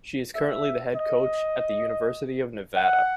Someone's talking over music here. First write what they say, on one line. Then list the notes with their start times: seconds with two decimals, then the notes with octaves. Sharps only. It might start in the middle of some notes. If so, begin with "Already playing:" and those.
She is currently the head coach at the University of Nevada.
0.35 E5
0.96 D#5
2.76 F#5